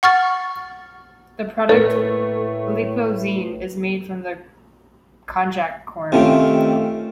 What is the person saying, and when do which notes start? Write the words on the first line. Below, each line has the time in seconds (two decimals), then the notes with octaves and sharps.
The product Lipozene is made from the konjac corm.
0.03 F#5 C#6 F6 A6
1.69 A2 A3 A#3 A4 B4
6.12 C3 D#3 A3 C#4 F4